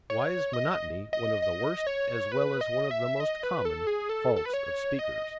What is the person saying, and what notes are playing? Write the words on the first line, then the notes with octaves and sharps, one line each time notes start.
Why is monotony one of the worst as well as one of the most common faults of speakers?
C#5
D#5
D#5
D#5
C#5
B4
D#5
E5
D#5
B4
A4
G#4
A4
A4
B4
C#5
D#5